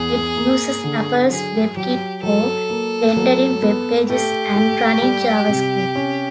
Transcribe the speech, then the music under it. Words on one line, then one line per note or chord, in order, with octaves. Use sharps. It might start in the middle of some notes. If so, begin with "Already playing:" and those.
It uses Apple's WebKit for rendering web pages and running JavaScript.
Already playing: E2 G#4
A#3
D3
F#3 G#4
F#3 G4
F#3 A4
A#3
F#3
B3
A3 G4
A3
G3
C3
C#4